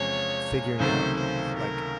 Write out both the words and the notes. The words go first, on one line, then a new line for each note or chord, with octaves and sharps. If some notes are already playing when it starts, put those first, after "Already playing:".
figuring out I I like
Already playing: E2 C3 F3 G#3 C#4 C#5
C#2 C3 D#3 F#3 A3 C5
C5
A#4